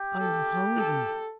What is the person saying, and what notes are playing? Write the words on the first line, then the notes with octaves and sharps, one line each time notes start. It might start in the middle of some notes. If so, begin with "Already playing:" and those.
"I am hungry."
Already playing: G4
A4
A4